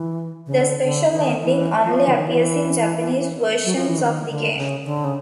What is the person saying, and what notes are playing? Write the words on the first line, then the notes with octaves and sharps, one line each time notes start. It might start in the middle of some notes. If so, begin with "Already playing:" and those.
The special ending only appears in Japanese versions of the game.
Already playing: E3
C#3
D3
D3
D#3
E3
F3
D3
D#3
E3
F#3
F3
E3
D#3
D3
C#3
D3
C#3